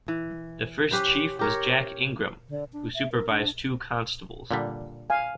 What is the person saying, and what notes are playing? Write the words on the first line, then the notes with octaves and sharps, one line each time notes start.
The first chief was Jack Ingram, who supervised two constables.
E3
C#4 G4 B4 C5
G4 A#4 C#5
D3
D4
E5
A#4
D4
A#2 D3 G3
F5 G#5